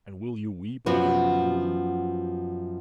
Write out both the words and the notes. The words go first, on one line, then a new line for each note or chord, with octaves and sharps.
"And will you weep over me, will you?"
F#2 F3 B3 F#4